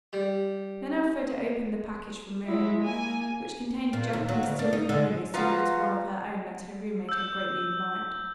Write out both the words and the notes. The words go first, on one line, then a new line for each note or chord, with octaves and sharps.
Then Elfreda opened the package from Miriam, which contained a Japanese silk kimono similar to one of her own that her roommate had greatly admired.
G3
G#3 E4
A#3 G#5
A#2
D#2
F#3
D2
D4
D#4
D3
F3 F4 F#4 B4 F5 A#5
E6 G6